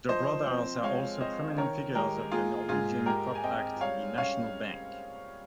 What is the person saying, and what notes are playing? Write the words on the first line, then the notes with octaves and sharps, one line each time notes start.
The brothers are also prominent figures of the Norwegian pop act The National Bank.
F3 C5 D#5
C4
G#3 C#5 F5
C4 C5 D#5
D#3 A#4 C#5
G#3 G4 A#4
A#3 F4 G#4
G#2 F4 G#4
G#3 G4 A#4
G#5
C4 D#5 G5
G3 C#5 F5
C#4 C#5 F5